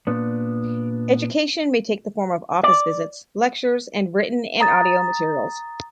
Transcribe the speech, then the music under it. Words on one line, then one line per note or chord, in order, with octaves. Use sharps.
Education may take the form of office visits, lectures and written and audio materials.
A#2 B3 D4
D5
A#5 D#6 A6